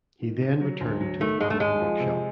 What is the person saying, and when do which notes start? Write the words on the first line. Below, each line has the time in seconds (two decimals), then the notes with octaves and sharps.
He then returned to the family workshop.
0.22 D#3
0.41 C3
0.61 F#3
0.81 D2
1.01 F#3
1.21 D#3 A3
1.40 D#2 G#3
1.50 A3
1.60 D#2 G#3
1.80 F3
2.00 C3